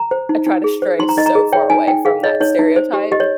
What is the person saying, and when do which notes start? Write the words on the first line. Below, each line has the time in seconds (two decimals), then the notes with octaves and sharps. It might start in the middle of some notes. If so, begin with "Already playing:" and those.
I try to stray so far away from that stereotype
Already playing: A#5
0.11 C5
0.29 D#4
0.46 D#4
0.64 G#4
0.82 C5
0.99 D#4 C6
1.09 A#5
1.17 D#4 D#5
1.26 A#5
1.35 G#4
1.52 C#5 G5
1.70 D#4 G#5
1.87 D#4 G5
2.05 G#4 F5
2.23 C#5 D#5
2.40 D#4 C#5
2.59 D#4
2.76 C5
2.93 G4
3.12 G4 D#5
3.20 C#5